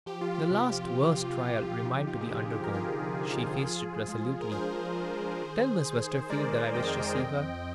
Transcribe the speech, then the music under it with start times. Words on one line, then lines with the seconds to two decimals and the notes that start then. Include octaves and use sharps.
The last worst trial remained to be undergone; she faced it resolutely. "Tell Miss Westerfield that I wish to see her."
0.06 F3 G4
0.21 F4
0.35 G4
0.51 C3
0.96 F3
1.40 C3
1.84 D#4 G4
2.07 F4
2.21 G#4
2.29 D3 G4
2.51 G4
2.64 A#4
2.73 D#4 F4 G#4
3.19 D3
3.64 F3
4.08 G#3
4.41 A#4
4.51 D4 G#4 C5
4.97 D4
5.41 D#3
5.85 D#3
6.30 G#3 A#4 D5
6.74 F2 D#5 G5
7.18 C4